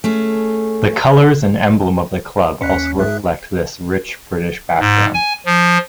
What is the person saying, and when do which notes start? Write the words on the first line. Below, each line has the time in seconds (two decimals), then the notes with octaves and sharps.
The colours and emblem of the club also reflect this rich British background.
0.04 A3 C#4 G#4
2.61 D#2 C#4 F#6 B6 C#7
2.99 G#2 G#4 E5 F#6
4.80 G#2
5.14 G#5
5.46 F3